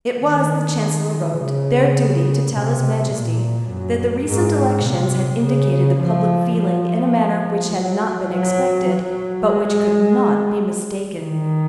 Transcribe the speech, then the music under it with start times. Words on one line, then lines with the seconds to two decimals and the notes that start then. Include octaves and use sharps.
It was, the Chancellor wrote, their duty to tell His Majesty that the recent elections had indicated the public feeling in a manner which had not been expected, but which could not be mistaken.
0.23 D#3
1.38 C#3
2.53 C3
3.12 A#2
3.69 F#2
4.27 G#2
4.86 C3
5.43 C#3
6.01 F3
6.59 F3
7.75 F#3
8.33 F#3
8.89 F#3
9.47 G#3
11.21 D#3